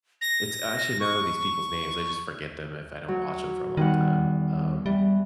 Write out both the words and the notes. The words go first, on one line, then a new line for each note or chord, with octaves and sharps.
It's I should know these people's names, I just forget them if I don't watch 'em for a long time, um
A#6
C#6
F#3
E2 D#3 G3 F#5
E3 G3